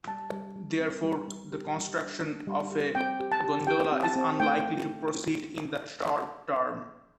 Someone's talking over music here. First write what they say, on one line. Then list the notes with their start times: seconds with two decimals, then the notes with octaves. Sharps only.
Therefore, the construction of a gondola is unlikely to proceed in the short term.
0.07 G3 A5
0.32 G3
0.56 G3
0.80 C4
1.04 G3
1.28 G3
1.52 G4
1.76 G3
2.00 D4
2.24 D4
2.47 G3
2.72 G4
2.95 C4 G5
3.20 G4
3.32 A5
3.44 G4
3.67 G4 G5
3.92 C4
4.03 A5
4.16 C4
4.40 A3 G5